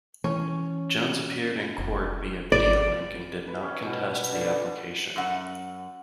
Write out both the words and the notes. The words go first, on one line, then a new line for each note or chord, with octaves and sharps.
Jones appeared in court via video-link and did not contest the application.
E3 C#4
F1
G#1 D5
B4
C#4
B2
B4
D3
F#2 F#5